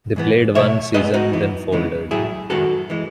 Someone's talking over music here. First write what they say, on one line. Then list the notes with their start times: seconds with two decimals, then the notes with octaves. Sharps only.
They played one season then folded.
0.16 G#2 E3 B3
0.55 B2 A3 C#5 E5
0.94 A2 G#3 B3 B4 D#5
1.14 D#4 F#4
1.33 F#2 E3 G#3 B3
1.72 C#3 E3 G#3 B3
2.11 A2 F#3 A3 E4 G#4
2.50 F#2 D#3 G#3 B3 F#4 A4
2.90 E3 G#3